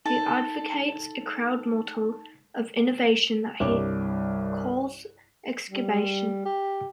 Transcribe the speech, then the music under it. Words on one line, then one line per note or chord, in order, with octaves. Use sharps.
He advocates a crowd model of innovation that he calls Excubation.
D#4 A4
C2 G2 C#5 D6
G3
G4